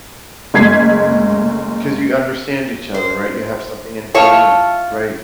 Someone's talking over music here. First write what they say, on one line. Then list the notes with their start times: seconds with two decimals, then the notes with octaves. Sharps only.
Mhm, 'cause you understand each other, right? You have something in common, right?
0.54 F#1 G#3 A3 G#6 B6 C7
2.94 C5
4.14 E4 F4 C#5 A5